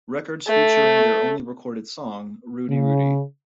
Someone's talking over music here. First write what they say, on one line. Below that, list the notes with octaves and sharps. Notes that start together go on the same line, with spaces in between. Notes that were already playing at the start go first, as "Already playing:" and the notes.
Records featuring their only recorded song, Rudy, Rudy.
A3
C#3